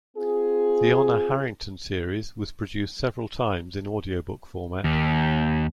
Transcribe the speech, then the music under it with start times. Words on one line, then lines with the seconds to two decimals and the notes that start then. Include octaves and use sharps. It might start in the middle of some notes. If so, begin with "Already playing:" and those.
The Honor Harrington series was produced several times in audiobook format.
0.17 C4 F4 G#4
4.84 D#2